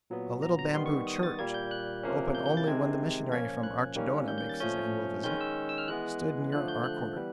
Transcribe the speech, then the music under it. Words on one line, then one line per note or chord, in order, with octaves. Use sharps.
A little bamboo church, open only when the missionary from Archidona makes his annual visit, stood near our quarters.
A#2 F#3 B3
A#5
A#5
D#3 G3 B3 C6
C#6
D#6
A6
A#2 G3 A#3 G#6
G6
F#6
C3 F3 A#3 C#4
G6
G6
A6
C3 D#3 G#3 C4 G#6
A#2 F3 A#3 C#4 G#6
F#6
D#3 G3 A#3 C#4
G6
G6
A6
A#2 F3 A3 C#4 G6
D#3 G#3 C#4 G6
E6
E6
F6
E3 G#3 B3 F#6
D3 F3 A3 F#6
G6
F#6
E3 G3 B3